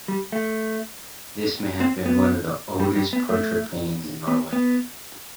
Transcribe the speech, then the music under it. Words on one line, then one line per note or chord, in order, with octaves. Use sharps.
This may have been one of the oldest portrait paintings in Norway.
G3
A3
C4
B3
G3
G3
B3
A3
B3
B3